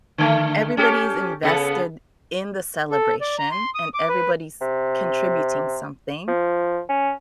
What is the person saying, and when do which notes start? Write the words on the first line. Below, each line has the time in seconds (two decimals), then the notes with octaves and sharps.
everybody is invested in the celebration and everybody's contributing something,
0.18 D3 A3
0.77 C#4 G4 A4
1.43 C#3 B3 A4
2.91 A4
3.21 D5
3.38 A#5
3.51 C6
3.75 D#6
3.94 D6
4.09 B4
4.61 C3
6.28 F3
6.89 C#4